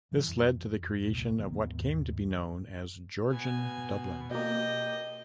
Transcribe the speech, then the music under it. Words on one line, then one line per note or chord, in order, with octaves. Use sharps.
This led to the creation of what came to be known as Georgian Dublin.
A1 E3 G3
F2
D#1 C2 A#2
F#1 D#3 A#3 B3
D#2 G#2
B2 G#5
B2 A#3 G4 D#5